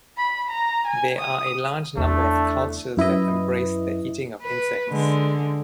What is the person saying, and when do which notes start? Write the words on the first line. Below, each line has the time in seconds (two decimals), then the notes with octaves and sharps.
There are a large number of cultures that embrace the eating of insects.
0.18 B5
0.52 A#5
0.87 G#5
1.19 D#6
1.97 E2 C#3 A3 D4
2.97 F#2 E4 B4 D#5
4.42 B4
4.90 D3 G#3